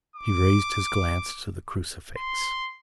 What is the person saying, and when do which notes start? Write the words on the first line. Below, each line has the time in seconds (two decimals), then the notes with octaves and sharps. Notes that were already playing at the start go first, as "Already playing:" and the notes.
He raised his glance to the crucifix.
0.16 D6
2.17 C6